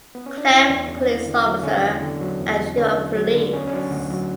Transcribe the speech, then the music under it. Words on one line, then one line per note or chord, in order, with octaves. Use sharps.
Cloud police officer and Chief of Police.
B3
C#4
D4
E2 E4
E2 D4
C#4
E2
E2 B3
D3
F#3
D3 C#4
E2
D3
F#3
E2
E2
D3 C#4
F#3
F#3
D3 B3
D2 C#4
C#4
F#3 D4
D2 F#4
F#3